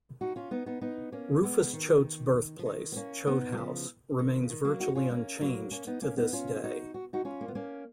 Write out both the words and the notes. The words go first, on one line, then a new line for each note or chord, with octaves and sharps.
Rufus Choate's birthplace, Choate House, remains virtually unchanged to this day.
D#4 F#4
C#4 F4
B3 D#4
B3 D#4
B3 D#4
A#3 C#4
G#3 B3
D#3
F3
D#3
B3
A#3 C#4
B3 D#4
F#3
C#3 F3
D#3
C#3
D#3
F#3 A#3
D#4 F#4
C#4 F4
A#3 C#4
F#3 A#3
A#3 C#4
B3 D#4
A#3 C#4
B3 D#4
C#4 F4
F4
D#4 F#4
F#4
D#4 F#4
C#4 F4
A#3
B3
A#3 C#4